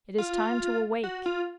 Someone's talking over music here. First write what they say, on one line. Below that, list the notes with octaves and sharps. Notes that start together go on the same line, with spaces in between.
It is time to awake.
F4
F#4
F4